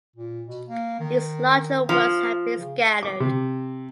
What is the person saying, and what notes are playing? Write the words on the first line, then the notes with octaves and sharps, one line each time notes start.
His larger works have been scattered.
A#2
B2
A#3
D#3
F3
C#3
D6
C3